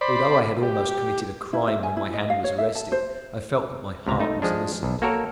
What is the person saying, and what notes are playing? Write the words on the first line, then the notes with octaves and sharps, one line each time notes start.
Although I had almost committed a crime when my hand was arrested, I felt that my heart was innocent.
C5 D5 B5
G4
E4
E5
G#5
E4
D#5
F5
C#5
E5
A5
C5
C#2 C3 A#5
A3 D#4
F3 G#3 D4
B1
A#3 F#4 A4 A#4 C#5